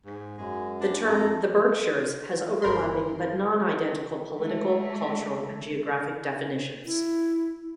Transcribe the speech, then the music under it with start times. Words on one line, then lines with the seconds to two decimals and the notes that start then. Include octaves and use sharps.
The term "The Berkshires" has overlapping but non-identical political, cultural, and geographic definitions.
0.05 G#2
0.38 F#2 G#3
0.81 D4
1.07 F2 A4 A#5
2.62 G1 A#4 B5 C6
4.39 G#3 A3
6.85 E4